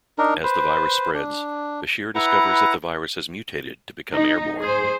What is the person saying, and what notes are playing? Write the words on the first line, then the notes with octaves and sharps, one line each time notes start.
As the virus spreads, Bashir discovers that the virus has mutated to become airborne.
D4 D#4 A#4
B4 C5
D4
E4 B4 F#5 A#5
D#4
G#4 C5